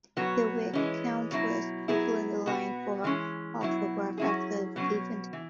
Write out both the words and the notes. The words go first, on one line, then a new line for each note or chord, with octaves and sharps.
There were countless people in line for her autograph after the event.
B2 F#3 B3 F#4
E3 G#3 C#4
B2 F#3 E4
F#3 B3 E4 G#4
B2 B3 F#4
E3 G#3 C#4
B2 F#3 E4
F#3 C#4 E4 G#4
B2 F#3 C#4
E3